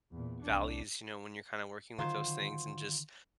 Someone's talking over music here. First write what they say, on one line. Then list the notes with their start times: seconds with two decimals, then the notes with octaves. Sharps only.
values, you know, when you're kinda working with those things and just
0.12 E2 A#2
0.42 C2 D4
1.99 D3 D#3 F#3 F4 C5